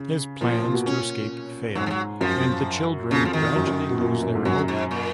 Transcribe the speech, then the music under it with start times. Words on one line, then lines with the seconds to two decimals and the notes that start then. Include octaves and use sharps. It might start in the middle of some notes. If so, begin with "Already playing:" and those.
His plans to escape fail, and the children gradually lose their hope.
Already playing: C#3
0.41 A#2 F3
0.52 A#2
0.64 A#2
0.74 B2
0.86 A#2 C#4
1.75 G#2 F#3
1.86 F3
1.90 F#3
2.21 F#2 F3
3.11 F2 C#3
3.25 F3
3.33 D#3
3.56 F#2
3.67 F#2
3.90 B2
4.01 A#2
4.23 F#2
4.35 G#2
4.45 F#2 F#3
4.68 G#2
4.91 A#2